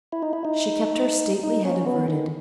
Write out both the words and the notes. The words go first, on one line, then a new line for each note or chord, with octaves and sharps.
She kept her stately head averted.
E4
D#4
E4
D#4
D#4
C#4
B3
D#3